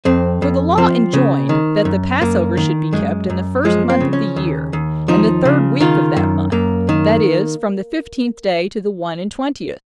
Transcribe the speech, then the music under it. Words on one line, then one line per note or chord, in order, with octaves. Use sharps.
For the law enjoined, that the Passover should be kept in the first month of the year, and the third week of that month, that is, from the fifteenth day to the one-and-twentieth.
F2 C4
F2
F3 C4
C#3
D#3
F#2
F#2 A#3
D#3
F#2 G#3
F#2
F3 G#3
C4
C#3
C#4
D#2
D#2
F3 D#4
C#3
D#3 F4
F#2
F#2 A#3
D#3